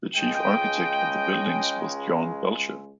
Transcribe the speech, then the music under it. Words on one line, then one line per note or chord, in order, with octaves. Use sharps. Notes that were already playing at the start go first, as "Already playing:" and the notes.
The chief architect of the buildings was John Belcher.
C#2 C#3 G#3 D#5 G5